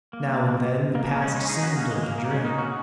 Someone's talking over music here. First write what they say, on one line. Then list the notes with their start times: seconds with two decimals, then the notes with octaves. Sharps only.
Now and then the past seemed like a dream.
0.13 A#3
0.95 A#3
1.09 A#3
1.22 G#3 C#4
1.35 G#3 C#4
1.49 D#4 G#4
1.63 C#4 F#4
1.76 A#3
1.91 G#3
2.03 A#3
2.18 A#3
2.30 G#3 C#4
2.45 A#3 D#4
2.58 C#4 F#4